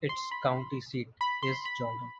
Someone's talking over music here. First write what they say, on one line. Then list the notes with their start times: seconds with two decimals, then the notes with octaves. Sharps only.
Its county seat is Jordan.
0.09 C6
0.31 B5
1.21 B5
1.43 C6
1.65 B5